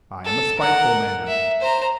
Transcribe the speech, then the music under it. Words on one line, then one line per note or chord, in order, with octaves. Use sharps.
I am a spiteful man.
A4
A#4 F#5
E5
C5 A#5